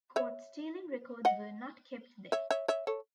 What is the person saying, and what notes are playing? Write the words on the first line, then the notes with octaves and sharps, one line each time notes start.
Caught stealing records were not kept then.
C#5 E5
D#5 F#5
C#5 E5
C#5 E5
C#5 E5
A4 C#5